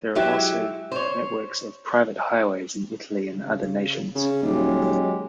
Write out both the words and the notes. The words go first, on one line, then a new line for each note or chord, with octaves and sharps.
There are also networks of private highways in Italy and other nations.
F#3 G#3 E4 G4 E5
C5 C#5
C#3
C#3
D#1 F#3 G#3 G4